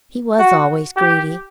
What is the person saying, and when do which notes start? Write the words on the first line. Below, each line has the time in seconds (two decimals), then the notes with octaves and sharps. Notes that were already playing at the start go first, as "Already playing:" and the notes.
He was always greedy.
0.39 F#4
0.96 G4